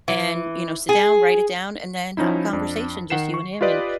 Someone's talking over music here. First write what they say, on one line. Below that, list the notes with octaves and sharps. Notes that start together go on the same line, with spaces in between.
and you know, sit down, write it down, and then have a conversation, just you and him and
E3
G#4
F3 C#4 D#4 E4
F2 D4
D#3 F#5 C7 E7
C#6
F4 G4 B4 D5 D#5